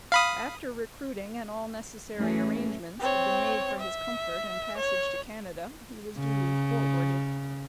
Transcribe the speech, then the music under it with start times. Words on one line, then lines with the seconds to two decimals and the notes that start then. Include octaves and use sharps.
After recruiting, and all necessary arrangements had been made for his comfort and passage to Canada, he was duly forwarded.
0.12 F5 B5 D#6
2.16 A2 E3 A3 C#4 G#4
3.00 C4 C#5
3.80 E5
4.77 C#5
6.19 C#3